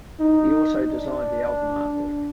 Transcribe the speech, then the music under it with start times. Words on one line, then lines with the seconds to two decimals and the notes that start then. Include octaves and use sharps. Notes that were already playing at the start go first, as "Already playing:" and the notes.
He also designed the album artwork.
0.20 D#4
0.90 D4